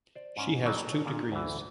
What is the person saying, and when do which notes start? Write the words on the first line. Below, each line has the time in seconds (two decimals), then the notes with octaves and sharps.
She has two degrees.
0.15 C5 D5
0.37 G#2 C#4
0.65 B2 F#3 G3 D#5
0.88 G#4 A4 C#5 D#5
1.05 A#2 F4 G#4
1.32 D2 E3